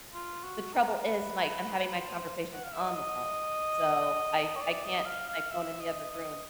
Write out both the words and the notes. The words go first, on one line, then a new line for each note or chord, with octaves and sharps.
The trouble is, my I'm having my conversations on the phone, so I I can't put my phone in the other room.
F4
F#4
A#4
A#4
B4
B4
C5
F#5
F5
E5
D#5
C#5
D5
D#5
F5
F5
E5
D#5
D#5